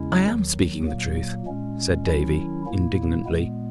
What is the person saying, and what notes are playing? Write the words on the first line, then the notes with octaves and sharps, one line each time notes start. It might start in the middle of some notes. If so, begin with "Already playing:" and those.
"I am speaking the truth," said Davy, indignantly.
Already playing: E2 C#3 G#3 C#4 E4
D#2 D#3 F#3
A#2 F#3 A#3
A#2 G#3 C#4
D#3 F#3 C#4 E4
A#2 A#3 E4
A#2 G#3 B3